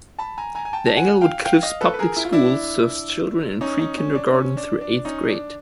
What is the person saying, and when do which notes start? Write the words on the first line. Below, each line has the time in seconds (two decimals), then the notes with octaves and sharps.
The Englewood Cliffs Public Schools serves children in pre-kindergarten through eighth grade.
0.19 A5 B5
0.38 G#5 A#5
0.55 G#5 A#5
0.65 G#5
0.73 G5 A5
0.87 A5
0.97 F#5 G#5
1.21 F5 G5
1.45 F5 G5
1.63 D#5 F5
1.81 A4 B4
1.94 B4
1.99 G#4 A#4
2.16 E4
2.25 F4
2.32 D4 E4
3.61 C#4 D#4
3.79 C#4 D#4
3.97 C#4
4.15 D4
4.33 C#4
4.57 D4
4.81 D4
5.05 C#4 D#4
5.30 D4